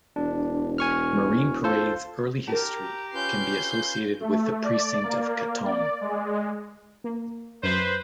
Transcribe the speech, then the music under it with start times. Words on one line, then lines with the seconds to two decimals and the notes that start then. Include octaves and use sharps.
Marine Parade's early history can be associated with the precinct of Katong.
0.16 E1 D4
0.78 G#5 C#6 F6
1.64 F4 A4 C5
2.48 G4 A#4 A5 A#5
3.14 C#4 F4 B4 G6 C7
4.20 A3
4.63 D5
5.04 A#3
5.65 D5
6.01 G#3
7.04 A#3
7.63 F#2 B4 C5